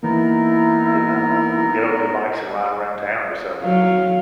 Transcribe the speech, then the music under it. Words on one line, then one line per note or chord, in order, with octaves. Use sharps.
But no, you get on your bikes and ride around town or something
E3 A#3 B3 D#4 E4 A#4
F#3 F5